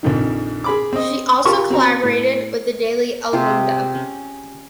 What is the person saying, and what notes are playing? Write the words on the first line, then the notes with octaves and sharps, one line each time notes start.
She also collaborated with the daily "El Mundo".
A#1 F2 D#3
G#4 B5 D6
C4 D#5
F4 G4 A#4 A5 C#6
C4 F#4 A#5
A2
C3 F4 G4 G#4
C#4